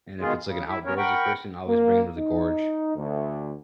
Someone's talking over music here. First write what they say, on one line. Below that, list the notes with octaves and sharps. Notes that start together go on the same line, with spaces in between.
and if it's, like, an outdoorsy person, I always bring ‘em to the gorge,
B2 D#3 G#3 B3 F4 G#4
C#3
E4 E5
A#3 B3 C#4 A#4 C#5
A#4 F#5 G5 B5 C#6
A#3
D#4
D2